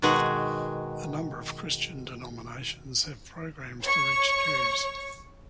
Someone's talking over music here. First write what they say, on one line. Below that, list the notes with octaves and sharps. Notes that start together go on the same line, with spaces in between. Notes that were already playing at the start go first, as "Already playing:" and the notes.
A number of Christian denominations have programs to reach Jews.
B2 D#3 G#3 F#4 G#4
C#5 C#6